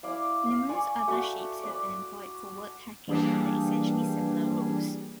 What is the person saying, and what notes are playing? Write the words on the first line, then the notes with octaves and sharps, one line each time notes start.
Numerous other shapes have been employed for word-packing under essentially similar rules.
E4 D5 F5
F5
D5 G#5 C#6 D6
A3 F#4 B5
D5 B5
E3 G3 A#3 D4 G4 G#4